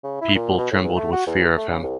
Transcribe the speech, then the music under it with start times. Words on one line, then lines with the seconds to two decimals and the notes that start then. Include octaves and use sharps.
People trembled with fear of him.
0.04 C#3
0.22 E4
0.35 A#2
0.58 B2
0.72 A2
0.84 E2
0.96 A3
1.13 F#4
1.27 E2
1.57 A3
1.69 C#3
1.83 C2